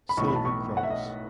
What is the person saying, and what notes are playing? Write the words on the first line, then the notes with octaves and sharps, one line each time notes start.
Silver cross.
B5
B1 A2 E3 B3 C#6
B5
A5
C#6
F#5
E5
D#5